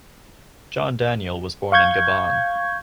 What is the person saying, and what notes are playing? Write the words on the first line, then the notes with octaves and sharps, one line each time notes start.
John Daniel was born in Gabon.
F5 C#6 G6 G#6